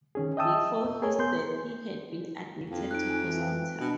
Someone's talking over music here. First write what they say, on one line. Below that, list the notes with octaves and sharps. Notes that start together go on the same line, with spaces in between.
Before his death, he had been admitted to hospital.
D#3 C#4 G#4
D#5 E5 G5 A5 D#6 E6
G#4 A#4 C#5 G#5
B3 C6 G6
F2
D#4 F#6 D7
G#5
E3
B2 D4